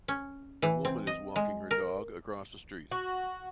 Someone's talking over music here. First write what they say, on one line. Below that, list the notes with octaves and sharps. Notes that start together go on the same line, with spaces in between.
A woman is walking her dog across a street.
C#4
E3
C4
D#5
G#3
A#4
F#4